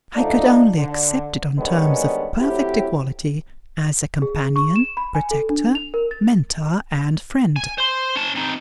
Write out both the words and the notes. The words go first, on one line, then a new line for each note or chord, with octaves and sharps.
'I could only accept it on terms of perfect equality, as a companion, protector, Mentor, and friend.'
D3 F3 A3 D4 D#4
D3
D#3 G3 G#3 B3 C#4 D4
A2 F#3 C4 E4 G4
G#4
C#6
E7
B5
G#5
A4
D4
F7
A#4
A6
G#5
C5 C6
C#4 A5
C4 D#4